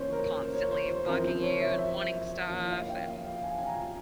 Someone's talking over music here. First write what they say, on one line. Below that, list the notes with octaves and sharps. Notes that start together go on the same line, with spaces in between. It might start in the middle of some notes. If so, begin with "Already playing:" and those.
constantly bugging you and wanting stuff and
Already playing: E3 A#3 C#4 E4 C5 C#5
A#4
C5
C#5
C5
C5
F3 C4 E4 A#4
C5
C#5
E5
E5
E5
F3 A#3 C#4 E4 E5
F5
G5
F5
G#5
G#5
A#5